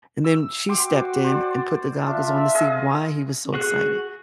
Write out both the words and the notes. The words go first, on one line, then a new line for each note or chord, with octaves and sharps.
and then she stepped in and put the goggles on to see why he was so excited,
E6
F#4 G5 C6 D6
C5 D5
D4 F4 E5
G#4 D#5 F5
F#4 G#4 F#6